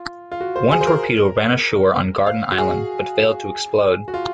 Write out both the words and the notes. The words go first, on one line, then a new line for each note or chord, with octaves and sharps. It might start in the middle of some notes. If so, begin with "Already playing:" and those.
One torpedo ran ashore on Garden Island, but failed to explode.
Already playing: F4
F4
F#4
C5
G#4
C5
A#4
F5
F#4
G#4
F#4
F4